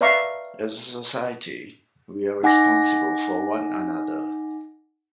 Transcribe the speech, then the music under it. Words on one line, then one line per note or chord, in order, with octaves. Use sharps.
As a society we are responsible for one another.
B4 D5 E5 F5 A#5 C#6
D#4 F#5 G#5 D6 A#6